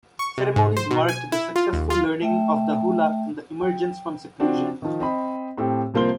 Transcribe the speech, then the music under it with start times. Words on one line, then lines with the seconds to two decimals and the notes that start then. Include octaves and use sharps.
Ceremonies marked the successful learning of the hula and the emergence from seclusion.
0.19 C#6
0.38 C3
0.56 G#2
0.77 C5
0.91 B2
1.09 G#5
1.32 E4
1.56 F4
1.73 D#2
1.90 F4
2.22 A3 E5 G5
3.61 G5
4.39 F3 C4 D4 F#4
4.82 D#3 F3
5.00 C4 D#5 B5
5.58 A2 C4 G4 A4
5.94 C2 F3 A#3 C5 C6 G7